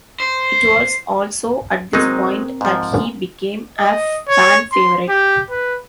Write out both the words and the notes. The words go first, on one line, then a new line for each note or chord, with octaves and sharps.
It was also at this point that he became a fan favourite.
C5
F#3 G#3 C4 D#4 A#4
G#2 F3
D#5
C#5
C6
G4
B4